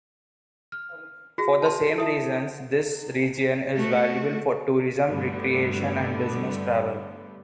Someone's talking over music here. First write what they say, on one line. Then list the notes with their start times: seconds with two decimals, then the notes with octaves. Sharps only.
For the same reasons this region is valuable for tourism, recreation and business travel.
0.72 F6
1.38 F#4 G#4 A#6
1.62 A5 C6
1.98 E4 A4 E5 A5
3.75 A3 F#4
5.08 G2 D3 G3 A3 B3